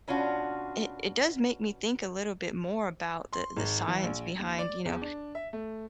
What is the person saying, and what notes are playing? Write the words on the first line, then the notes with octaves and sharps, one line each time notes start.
i it does make me think a little bit more about the the science behind, you know,
B2 C#4 D4 F4 F#4
C6
G#1
E3
A#1
D#2
D5
E2
D4
E5
A3